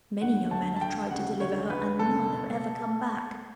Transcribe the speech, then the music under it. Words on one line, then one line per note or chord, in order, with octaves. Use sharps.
Many young men have tried to deliver her, and none have ever come back.
D2 F#5
D2 A5
A5
D2 G5
C#3 F#5
D2 C#5
D2 B4
F#1 A4
B2